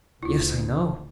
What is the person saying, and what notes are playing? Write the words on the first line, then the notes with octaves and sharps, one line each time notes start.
"Yes, I know."
D2 E4 F4